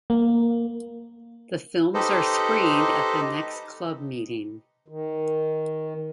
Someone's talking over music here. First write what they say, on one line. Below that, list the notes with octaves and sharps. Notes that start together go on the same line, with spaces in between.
The films are screened at the next club meeting.
A#3
D#4 G4 A4 B4 C5 D#5
D#3